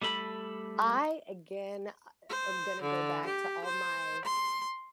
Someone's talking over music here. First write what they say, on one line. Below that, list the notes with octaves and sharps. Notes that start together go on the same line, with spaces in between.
I again I um, I'm gonna go back to all my
G3 A3 A4 B5
C5
D3
G4
C5
C6